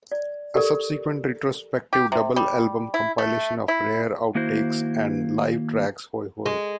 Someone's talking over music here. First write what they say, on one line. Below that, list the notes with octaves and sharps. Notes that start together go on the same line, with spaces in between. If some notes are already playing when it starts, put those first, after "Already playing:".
A subsequent retrospective double album compilation of rare outtakes and live tracks, Hoy-Hoy!
D5
G4 A4 A#4 D5
G4
C3
G3
E4
A3
E4
D#3 A#3 E4 F#4 C5
G#3